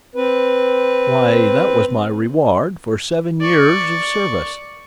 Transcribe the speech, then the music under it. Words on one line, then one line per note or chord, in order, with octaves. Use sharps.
"Why, that was my reward for seven years of service."
C4 B4
D5 C#6